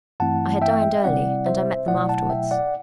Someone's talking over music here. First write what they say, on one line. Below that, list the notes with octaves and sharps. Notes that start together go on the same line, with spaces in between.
I had dined early; and I met them afterwards.
G2 E3 A3 C4 E4 F#5 A5
E5 G5
E5
C3 G3 C4 E4 D5 F#5
C5 E5
B2 F#3 A3 E4 D5 F#5
F#5 A5
E5 G5
D5 F#5